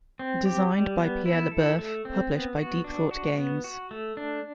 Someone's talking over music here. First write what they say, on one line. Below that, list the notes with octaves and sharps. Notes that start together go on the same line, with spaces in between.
Designed by Pierre LeBoeuf, published by Deep Thought Games.
C4
G4
G3
B3
E4
A4
A3
C4
B3
F#4
D4
F#4
B3
F#4
A3
D4